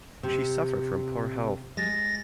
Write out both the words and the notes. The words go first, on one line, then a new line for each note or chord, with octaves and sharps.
She suffered from poor health.
C3
G#3 A6 A#6